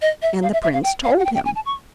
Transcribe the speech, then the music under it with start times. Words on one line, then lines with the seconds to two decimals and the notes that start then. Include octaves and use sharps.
And the prince told him.
0.02 D#5
0.22 E5
0.43 F5
0.53 E5
0.63 E5
0.73 F5
0.83 G5
1.04 F5
1.19 F#5
1.25 G5
1.35 G5
1.45 G#5
1.55 A5
1.66 C#6